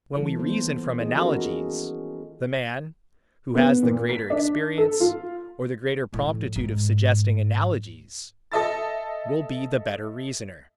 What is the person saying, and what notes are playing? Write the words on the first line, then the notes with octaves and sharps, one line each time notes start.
When we reason from analogies, the man, who has the greater experience or the greater promptitude of suggesting analogies, will be the better reasoner.
E3 G3 A3 E4 A4
D#3 A#3 B3 C5
E4 G#4 D#5
C#4 F#4 G4 A4 A#4
F4 G#4
B3
A#2
B6
D4
A4
F4
F2 A2
G#2
A4 D#5 E5 A5 A6